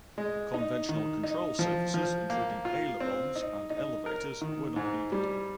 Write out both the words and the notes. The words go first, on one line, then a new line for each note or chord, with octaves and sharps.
Conventional control surfaces including ailerons and elevators were not needed.
G#3
D#4
D#3
D#4
F3
F3
A#3
F4
C4
D#4
D#4
A#4
D#3
G#2
G3